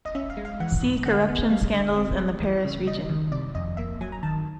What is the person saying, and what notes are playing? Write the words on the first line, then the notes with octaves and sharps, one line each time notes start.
See corruption scandals in the Paris region.
D#5
C#4 E5
F5
G#3
F5
E3 F#5
G#2
D3 F#5
B3
G3 F5
D3
C4
G3
E3
C#3
G3 D#5
D#3
C3 D5
F2 D#5
A#3 E5
F#3 G#5
A#5
D#3 A5